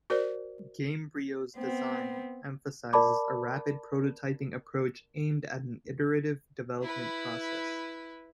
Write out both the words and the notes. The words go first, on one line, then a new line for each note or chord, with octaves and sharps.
Gamebryo's design emphasises a rapid prototyping approach aimed at an iterative development process.
F#4 A#4 C5 D5
B3 C4
A#4 D5 A5 B5 D6
E4 B4